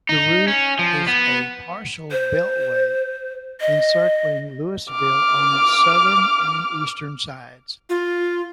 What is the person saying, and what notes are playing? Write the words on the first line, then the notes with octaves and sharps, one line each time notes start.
The route is a partial beltway, encircling Louisville on its southern and eastern sides.
D#4
C#4
F3
B3
C5
D#5
D6 F6
F4